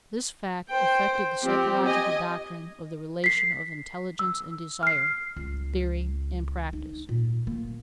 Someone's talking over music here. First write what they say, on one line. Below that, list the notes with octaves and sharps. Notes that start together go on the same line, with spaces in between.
This fact affected the psychological doctrine of the relation of intelligence and desire, theory and practice.
C5 G5
F3 C4 G4
D#5 G#5
B6 C7
E6
F6 C7
C#2
D#4
A#2
A#3